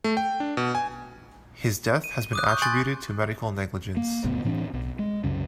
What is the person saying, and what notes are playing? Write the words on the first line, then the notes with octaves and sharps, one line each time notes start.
His death has been attributed to medical negligence.
A3
G5
D4
B2
G#5
D#7
D6 D#6 F#6
C#6 G6
G#5 C6 C#6 F#6 G6 A6
A#3
F#1 D2 A#2 B3
A2 E3 C4 D4
B1
G#3
C2 F#2 C#3